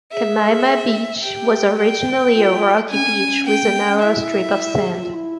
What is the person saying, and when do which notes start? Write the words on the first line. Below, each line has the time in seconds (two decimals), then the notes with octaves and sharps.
Kaimana Beach was originally a rocky beach with a narrow strip of sand.
0.12 G#4 E5
1.23 G4 G5
1.79 G5
2.35 F4
2.90 C#4 G#5
3.02 C4
3.13 C#4
3.46 G5
3.62 A#3
3.75 C4
3.88 C#4
4.02 E4 E5
4.74 G#4
4.87 G4
5.00 F4
5.13 E4